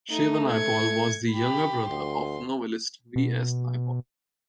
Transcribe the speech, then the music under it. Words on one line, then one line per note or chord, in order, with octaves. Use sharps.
Shiva Naipaul was the younger brother of novelist V. S. Naipaul.
A3 D#4
G#6 C#7
G4 B5
D2 C6
B2